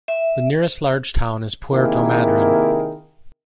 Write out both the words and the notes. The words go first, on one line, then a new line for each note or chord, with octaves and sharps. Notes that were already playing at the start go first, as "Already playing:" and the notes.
The nearest large town is Puerto Madryn.
E5
C3 D#3 A#3 E4 G#4 A#4